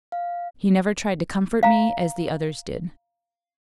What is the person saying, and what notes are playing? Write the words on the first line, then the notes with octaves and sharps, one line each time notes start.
He never tried to comfort me as the others did.
F5
F5 A#5